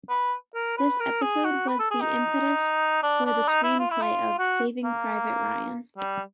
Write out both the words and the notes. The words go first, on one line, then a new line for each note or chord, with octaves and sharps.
This episode was the impetus for the screenplay of "Saving Private Ryan".
B4
A#4
B4
A#4
G#4
F#4
B4
A4
G#4
D#4
D4
D4
D#4
E4
F4
E4
F4
F#4
A#3
G3